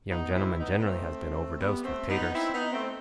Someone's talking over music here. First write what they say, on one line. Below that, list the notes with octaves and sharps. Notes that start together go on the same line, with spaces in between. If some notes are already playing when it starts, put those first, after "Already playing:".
'Young gentlemen generally has been overdosed with taters.'
B3 D#4
C4 E4
B3 D#4
B3
A3 C4
C4
G3 B3
A3 C4
B3 D#4
C4 E4
B3 D#4
A3 C4